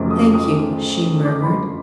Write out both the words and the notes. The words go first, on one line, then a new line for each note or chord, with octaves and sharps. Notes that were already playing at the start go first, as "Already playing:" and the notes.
"Thank you," she murmured.
Already playing: F1 F2 C#3 F#3 D6
D#6
D#6
D6
B5
C6